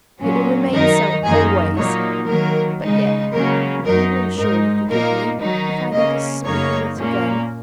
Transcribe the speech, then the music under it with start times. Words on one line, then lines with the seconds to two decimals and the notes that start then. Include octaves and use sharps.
It will remain so always, but yet you will surely forgive me, if I never speak of it again.
0.20 A#2 F#3 C#4
0.72 F#2 D#3 F#3 D#4 A#4
1.23 F#2 D#3 A#3 D#4 G#4
1.76 A#2 F#3 A#3 D#4 C#5
2.27 D#3 F#3 A#3 A#4
2.80 C#3 G#3 D#4
3.31 C#3 F#3 A#3 C#4 A#4
3.83 F#2 F#3 D#4 A#4
4.36 G#2 G#3 D#4 A#4
4.88 A#2 A#3 D#4 A#4
5.39 D#3 F#3 D#4
5.92 C#3 A#3 C#4 D#5
6.43 F#2 C#3 A#3 D#4 C#5
6.96 A#2 A#3 C#4